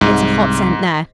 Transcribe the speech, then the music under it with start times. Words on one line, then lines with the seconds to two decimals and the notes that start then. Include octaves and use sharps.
It's a hot scent there.
0.01 C2 G#2